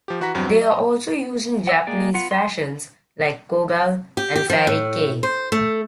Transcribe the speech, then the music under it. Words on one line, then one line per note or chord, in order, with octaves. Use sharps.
They are also used in Japanese fashions like Kogal and Fairy Kei.
F3 G4
E3 F#4 F#5 A#5 B6
E2 G2 F#3 C4
F#3
D#5
F#5 E6
G#3 A#3 G#4 D5 G5
B3 F4 F#5
C6
G4
G4
F3
A2
C5
A3